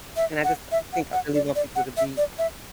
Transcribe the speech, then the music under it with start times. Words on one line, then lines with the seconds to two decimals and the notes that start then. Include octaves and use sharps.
and I just th think I really want people to be
0.16 E5
0.44 F#5
0.72 E5
0.93 F#5
1.13 F#5
1.35 D5
1.56 D5
1.76 F#5
1.97 E5
2.17 D5
2.38 E5